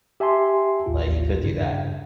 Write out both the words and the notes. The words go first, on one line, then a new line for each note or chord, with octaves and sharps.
like, he could do that.
G4 E5 G#5 A5 C6
A1 D#2 A2 F4
G2 C#3